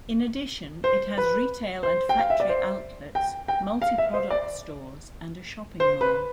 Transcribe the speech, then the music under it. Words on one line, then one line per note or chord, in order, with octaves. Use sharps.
In addition it has retail and factory outlets, multi-product stores and a shopping mall.
C5
B4
C5
G5
F5
E5
D5
C5
G5
G5
F5
E5
C5
D5
C5
B4